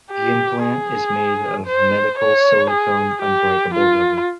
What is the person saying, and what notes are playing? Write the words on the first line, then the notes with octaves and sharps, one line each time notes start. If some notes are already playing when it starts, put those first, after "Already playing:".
The implant is made of medical silicone unbreakable rubber.
G4
G#4
C5
C#5
G#4
G4
F4